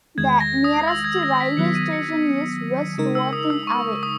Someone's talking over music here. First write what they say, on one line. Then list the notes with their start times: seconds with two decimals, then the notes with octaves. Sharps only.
The nearest railway station is West Worthing, away.
0.18 E2 D#3 G#3 G#6
0.40 A#6
0.64 D#6
0.88 E6
1.04 G#6
1.23 A#6
1.40 B6
1.57 D#3 F#3 B3 C#7
1.75 D#7
1.93 C#7
2.98 C#3 G#3 D#4 A#4
3.15 E6
3.33 D#6
3.50 E6
3.67 C#6
4.03 D#6